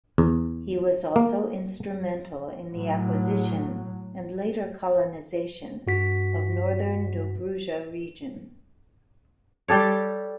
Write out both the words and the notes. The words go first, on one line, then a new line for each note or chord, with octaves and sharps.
He was also instrumental in the acquisition, and later colonization, of Northern Dobruja region.
E2
A#3
A2 F#3
G2 F#4 B6
G3 G4 A4 C#5